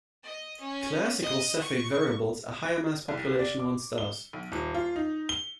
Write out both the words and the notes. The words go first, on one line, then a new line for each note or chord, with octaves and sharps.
Classical Cepheid variables are higher mass population I stars.
D#5
C#4
D#5
C#6
C2
D5
D6
G7
B1
D#1
F4
D#4
G7